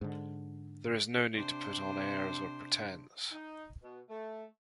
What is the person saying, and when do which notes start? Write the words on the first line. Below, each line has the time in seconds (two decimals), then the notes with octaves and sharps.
There is no need to put on airs or pretense.
0.01 G#2 D3
1.34 C3 D4 C5
3.32 D#4
3.82 B2
4.09 A3